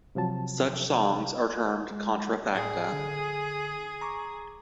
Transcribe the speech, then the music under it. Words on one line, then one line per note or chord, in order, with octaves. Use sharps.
Such songs are termed contrafacta.
C3 F3 F#3 A5
G#3
A2 G#4 D5 G5
D3
A#5 C#6 D6